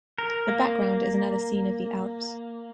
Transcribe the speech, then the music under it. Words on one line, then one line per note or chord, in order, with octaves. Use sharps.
The background is another scene of the Alps.
A#4
A#3